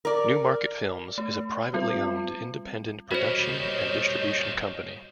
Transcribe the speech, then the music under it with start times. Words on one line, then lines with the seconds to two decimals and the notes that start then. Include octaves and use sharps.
Newmarket Films is a privately owned independent production and distribution company.
0.05 A#4 D5
1.18 A3
1.74 G3 C4 F4
3.11 G3 A#3 F#4 C5 C#5 D#5 G6